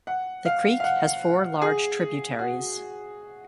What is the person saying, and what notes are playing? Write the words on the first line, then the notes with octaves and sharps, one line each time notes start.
The creek has four large tributaries.
F#5
F5
F5
F#5
G#4
F#4